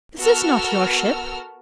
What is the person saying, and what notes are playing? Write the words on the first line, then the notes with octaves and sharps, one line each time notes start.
This is not your ship.
B3 F#4 A4 A#4 E6 F6